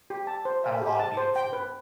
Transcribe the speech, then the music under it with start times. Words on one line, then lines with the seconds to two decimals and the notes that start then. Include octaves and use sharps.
had a lotta beautiful
0.10 G4
0.27 A5
0.45 C5
0.64 E5
0.82 G4
0.99 A5
1.17 C5
1.36 G5
1.53 B4